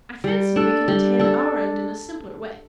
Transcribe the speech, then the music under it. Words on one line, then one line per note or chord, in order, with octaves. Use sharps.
I fancy we can attain our end in a simpler way.
G3
D4 A4
G3
D4 A4